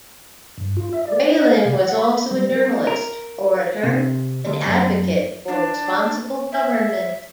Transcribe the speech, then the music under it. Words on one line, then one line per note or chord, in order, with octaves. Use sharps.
Whelan was also a journalist, orator and advocate for responsible government.
G2
F4
E5
D5
D#5
F5
C3
F#5
B5
G3
A#4
A#4
C3
D2
F#2
D4
E5